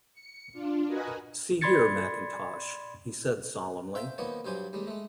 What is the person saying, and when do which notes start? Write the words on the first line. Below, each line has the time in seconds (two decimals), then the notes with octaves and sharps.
"See here, Mackintosh," he said solemnly.
0.13 C#7
0.53 D4 F4
0.87 F#4 A#4 B4 D#5 F#5 G#5
1.61 D5 B5 C6 G#6 A6 C#7
3.95 C5 E5 F5 G5
4.18 D#3 F3 A#3 B3 C#5
4.45 G2 F#3 G3 C5 G#5
4.73 D#2 G3 G#3
4.87 G#3 A3